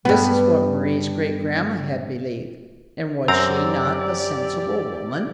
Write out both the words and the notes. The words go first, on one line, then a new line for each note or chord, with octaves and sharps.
This is what Mari's great-grandma had believed, and was she not a sensible woman?
G2 B3
F#2 C4 G4 D5 A#5 E6